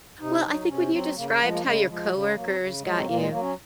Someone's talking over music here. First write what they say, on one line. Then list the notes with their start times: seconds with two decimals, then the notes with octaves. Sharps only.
Well, I think when you described how your coworkers got you,
0.20 C3 D#4
0.45 F#3
0.68 C3 C#4
0.92 F#3 C4
1.16 C#3 A#3
1.39 F3 A#3
1.44 G#3
1.51 A#3
1.63 C#3 G#3
1.87 F3 G#3
2.12 C#3
2.23 G#3
2.35 F#3 A#3
2.46 C4
2.59 C#3
2.82 F#3 G#3
2.97 C4
3.06 A#2 A#3
3.18 G#3
3.30 F#3 A#3
3.41 C#4